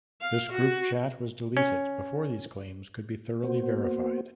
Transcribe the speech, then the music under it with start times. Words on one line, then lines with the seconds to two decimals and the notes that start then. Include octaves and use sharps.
This group chat was deleted before these claims could be thoroughly verified.
0.21 F5
0.51 F#4
1.57 C#4
3.44 A#3 B3 F#4 C5